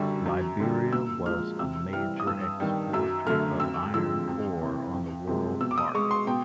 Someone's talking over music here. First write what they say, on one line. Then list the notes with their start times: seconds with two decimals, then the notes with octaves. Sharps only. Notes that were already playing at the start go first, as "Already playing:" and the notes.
Liberia was a major exporter of iron ore on the world market.
Already playing: F#2 D3 G3 C#6
0.26 F#2
0.60 D3 G3
0.93 A#2 E6
1.26 F3 G#3 F6
1.59 C3 E6
1.93 E3 G3 F6
2.20 D#6
2.27 G2 E6
2.60 D#3 G3
2.93 F#2 E6
3.27 D3 F#3 A3 F6
3.60 F2 E6
3.94 D3 F3 G#3 E6
4.28 F2
4.61 C3 E3
4.94 F2
5.27 C3 F3 G#3
5.61 B2 E6
5.71 D6
5.78 D#6
5.94 G#3 C#6
6.11 C6
6.27 B2 G5